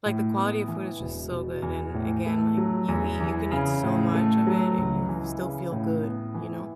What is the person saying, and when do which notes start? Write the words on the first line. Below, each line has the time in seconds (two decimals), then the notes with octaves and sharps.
like, the quality of food is just so good, and again, like, you eat you can eat so much of it and you'll f still feel good, you know?
0.06 A2
0.37 B3
0.68 E3
1.00 E1
1.31 B2
1.62 E2
1.94 A2
2.26 A3
2.57 F#3
2.88 E2
3.20 E3
3.51 C#3
3.83 A2
4.15 A3
4.47 F#3
4.78 C#2
5.09 E3
5.40 C#3
5.72 A2
6.03 B3
6.34 E3